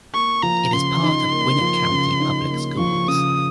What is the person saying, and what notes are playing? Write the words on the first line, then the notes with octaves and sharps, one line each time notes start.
It is a part of Gwinnett County Public Schools.
A#3 C#6
F3 A#5
C#3 C6
D#4
A#3
F3
C#3
D#4
A#3
F3 C#6
C#3 D#6